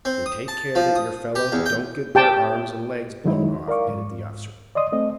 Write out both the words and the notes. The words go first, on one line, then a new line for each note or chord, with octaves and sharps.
"And take care that your fellows don't get their arms and legs blown off," added the officer.
C4
D#6
A5
F3
D#6
G4
E2
G5
G4 G5 A5
D#3 F#3 G#3 D#4 E4
A#4 D5 F5 C#6 D6
G#2
D5 D#5 C6 D#6
A3 C4 D#5